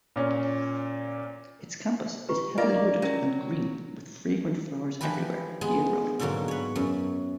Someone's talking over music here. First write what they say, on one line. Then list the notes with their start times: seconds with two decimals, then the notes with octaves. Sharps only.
Its campus is heavily wooded and green, with fragrant flowers everywhere year-round.
0.16 A#2 C#4
2.29 F4 G4 B4
2.58 A#3 F4 D5 D#5 F5 F#5
3.02 F#3 C#4 A#4
5.01 E3 F3 G4 B4 B5
5.61 G#3 B3 G#4
6.19 G#2 B2 D3 F#3 A#3
6.48 B4 C#5
6.76 F#2